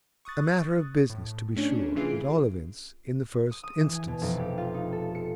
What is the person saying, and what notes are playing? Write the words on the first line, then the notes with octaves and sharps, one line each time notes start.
A matter of business, to be sure--at all events in the first instance.
C#6 D#6 F#6 A6
A2
A3 C#4 D4
C3 E3 F4 G#4 C7 D7
D#6
D#6
E3
G#5
B2
F1
G4
F4
D#4
A4
C#7